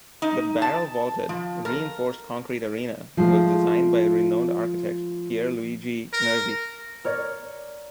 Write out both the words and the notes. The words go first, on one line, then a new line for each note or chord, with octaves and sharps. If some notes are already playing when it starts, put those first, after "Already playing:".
The barrel-vaulted, reinforced concrete arena was designed by renowned architect Pier Luigi Nervi.
D#4
A5
F3
A#4
F3 G#3 A3 F4
A#4
A#4 C#5 D5